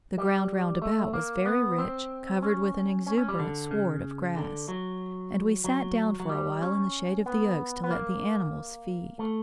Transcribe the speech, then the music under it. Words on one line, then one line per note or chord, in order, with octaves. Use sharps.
The ground round about was very rich, covered with an exuberant sward of grass; and we sat down for a while in the shade of the oaks to let the animals feed.
G3
A3
A#3
B3
C4
C#4
C#4
C#4
G3
D3
C#3
D3
F#3
F#3
F#3
G3
C#4
B3
B3
A#3
A3